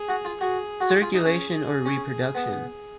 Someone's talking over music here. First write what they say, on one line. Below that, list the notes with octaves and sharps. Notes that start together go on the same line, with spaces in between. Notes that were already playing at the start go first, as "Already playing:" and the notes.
Circulation or reproduction?
Already playing: G#4
F#4
F4
F#4 G#4
F#4
F4 G#4
F4
D#4
C#4
C#4
B3